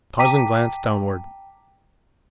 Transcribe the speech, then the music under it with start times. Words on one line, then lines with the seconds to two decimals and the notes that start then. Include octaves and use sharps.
Tarzan glanced downward.
0.18 G5 A5 A#5 D6 B6 D#7